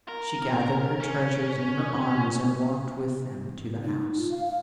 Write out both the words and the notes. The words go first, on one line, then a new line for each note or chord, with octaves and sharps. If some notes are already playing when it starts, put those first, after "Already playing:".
She gathered her treasures in her arms and walked with them to the house.
A#4
C#4
D#4
F4
F5
F5